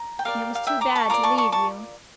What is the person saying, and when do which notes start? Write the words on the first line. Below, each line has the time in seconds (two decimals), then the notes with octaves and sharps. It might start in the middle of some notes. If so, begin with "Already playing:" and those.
It was too bad to leave you.
Already playing: A#5
0.19 G5
0.25 G4 A#4 D5 F5
0.55 F5
0.67 E5 G5
0.81 A#5 D6
0.95 A5 C#6
1.09 F4 A#4 D5 A#5 D6
1.23 A5 C#6
1.38 A5 C#6
1.52 A5 C#6